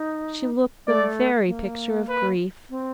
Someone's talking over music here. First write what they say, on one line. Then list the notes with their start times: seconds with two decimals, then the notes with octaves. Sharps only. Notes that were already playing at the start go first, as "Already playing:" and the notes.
She looked the very picture of grief.
Already playing: D#4
0.87 A3 D5
1.47 A#3
2.09 B4
2.70 C4